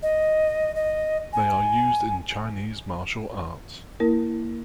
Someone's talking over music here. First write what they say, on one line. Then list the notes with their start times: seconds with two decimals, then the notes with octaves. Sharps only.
They are used in Chinese martial arts.
0.03 D#5
0.75 D#5
1.33 G#5
4.00 A#3 E4 A#4